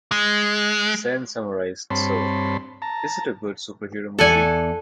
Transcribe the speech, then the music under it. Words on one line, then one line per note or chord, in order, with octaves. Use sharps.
Sen summarised So, is it a good superhero movie?
G#3
G2 C4 C#5 A5 B5 C6
A5 A#5
E2 A4 D5 F#5 G#5